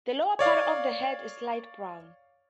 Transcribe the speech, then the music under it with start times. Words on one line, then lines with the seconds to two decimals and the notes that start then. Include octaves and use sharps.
The lower part of the head is light brown.
0.39 C#5 D5 F5